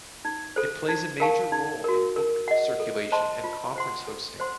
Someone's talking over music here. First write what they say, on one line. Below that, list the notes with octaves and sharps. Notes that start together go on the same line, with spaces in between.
It plays a major role in book circulation and conference hosting.
D#4
A4 C5
D#4
A#4 F5 A5 C#6
D#4
F#4 A#4
A#4
D#5 F#5
A4
C5 D#5 A5 C6
F4
C5 F#5 C6
A4
C5 F#5 C6